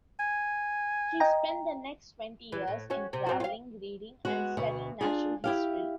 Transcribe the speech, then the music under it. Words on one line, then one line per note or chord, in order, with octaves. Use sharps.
She spent the next twenty years in traveling, reading and studying natural history.
G#5
D#5 G5 A#5
E3
A2
C#4 F#4
C3
G#2 C4 F#4
F4 F5
G#3 B3 F#4
D2 B2
D4 F4 G#4
E4 G4 F5